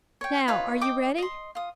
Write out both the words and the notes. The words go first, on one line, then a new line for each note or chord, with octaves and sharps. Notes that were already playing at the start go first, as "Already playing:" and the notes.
Now are you ready?
C#5 G5
D#4 F4 B4 C#5
D#5 G5 D6
D#5 C6
F4 D#6